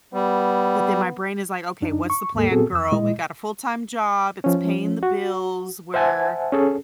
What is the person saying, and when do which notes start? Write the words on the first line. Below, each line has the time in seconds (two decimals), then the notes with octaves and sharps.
But then my brain is like, "Okay, what's the plan, girl? We got a full-time job, it's paying the bills, we're
0.14 G3 B3
1.82 F#2 D4 D#4
2.10 C#6
2.34 D#2 G#2 A#3 A4
2.50 A#2 B3 C4 F#4 G#4 A4
2.73 F2 E6
2.92 A#2 G#3 E4 D#5
4.44 F3 C#4
5.03 F#4
5.94 C5 E5 F#5 G#5 A5
6.53 C#4 G#4 A4